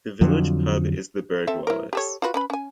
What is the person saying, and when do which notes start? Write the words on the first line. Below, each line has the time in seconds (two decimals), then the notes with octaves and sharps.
The village pub is the Burghwallis.
0.21 F2 D3 F3 F#3
1.47 C4 A4 E5
1.67 E4 A#4
1.93 G4 A4 C#5
2.22 F4 F#4 B4
2.34 C#4 B4 B5
2.50 C#4 G#5